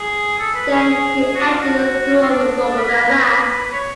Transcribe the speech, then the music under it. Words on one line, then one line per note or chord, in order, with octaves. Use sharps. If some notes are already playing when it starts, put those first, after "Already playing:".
Then, he entered the School of Bergara.
Already playing: G#4
A4
B4
G#4
F#4
F4
F#4
F4
D4
B4
C#5